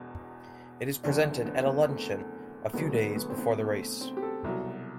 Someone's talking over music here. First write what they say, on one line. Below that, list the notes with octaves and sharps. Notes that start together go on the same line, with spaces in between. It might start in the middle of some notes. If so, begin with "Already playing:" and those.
It is presented at a luncheon a few days before the race.
Already playing: E1 E2 B2
F#1 E2 D3 D4
B3
C4
B3
A3
E1 D2 D3 F#3 B3
A3
B3
A3
B3
C4
B3
A3
C4
G4
A4
C2 B2 F#3